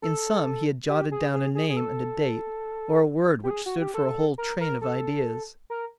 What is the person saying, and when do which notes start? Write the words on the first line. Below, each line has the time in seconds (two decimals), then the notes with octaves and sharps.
In some he had jotted down a name and a date, or a word which stood for a whole train of ideas.
0.02 A4
0.89 G4
1.11 G#4
1.33 G#4
1.55 G#4
1.69 G#4
1.77 A4
3.43 G4
3.51 G#4
3.66 F#4
3.81 G4
3.94 A4
4.38 A#4
4.61 A#4
4.81 A4
5.70 A#4